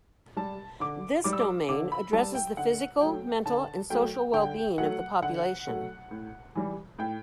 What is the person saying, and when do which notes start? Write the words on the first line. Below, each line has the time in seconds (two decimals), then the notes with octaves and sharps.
This domain addresses the physical, mental, and social wellbeing of the population.
0.37 G3 A5
0.80 D3 D6
1.24 G3 D6
1.33 E6
1.40 D6
1.69 D3 D6
1.92 B5
2.13 G3 A5
2.35 G5
2.57 D3 F#5
3.01 F#3 A3 G5
3.45 D3 A5
3.90 F#3 A3 G5
4.33 D3 G5
4.78 F#3 A3 F#5
5.22 D3 F#5
5.67 F#3 A3
6.11 A2
6.55 E3 G3
6.99 A2 G5